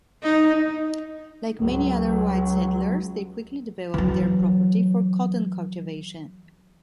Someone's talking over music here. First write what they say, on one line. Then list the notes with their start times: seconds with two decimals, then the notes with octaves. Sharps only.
Like many other white settlers, they quickly developed their property for cotton cultivation.
0.24 D#4
1.60 C#2 F#3
3.94 E3 F#3